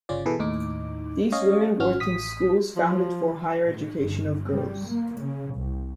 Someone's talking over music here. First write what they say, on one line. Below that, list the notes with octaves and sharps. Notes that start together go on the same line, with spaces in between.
These women worked in schools founded for higher education of girls.
G1 C#3 C#4 F4 D5
B2 E3 G#4 A4 B4
D#2 A2 D#4 D6
C#4 C#5 D#5 F5
G#1 C#4 F#4 F6
A1 D#6 B6
F3
A2
G1
G3
A#3
C#3
C2